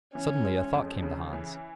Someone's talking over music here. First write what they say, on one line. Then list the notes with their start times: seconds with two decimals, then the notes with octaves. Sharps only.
Suddenly a thought came to Hans.
0.14 E3 C#4
0.44 G#3
0.74 F2
1.02 C#3
1.33 E3